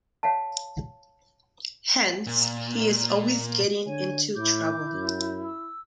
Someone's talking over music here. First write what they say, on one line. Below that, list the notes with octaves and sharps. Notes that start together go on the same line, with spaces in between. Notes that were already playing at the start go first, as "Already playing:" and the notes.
Hence, he is always getting into trouble.
C#5 F5 F#5 A5
A#2
D3 C#5 G#5
A2 E4 D6 G6
F#2
E6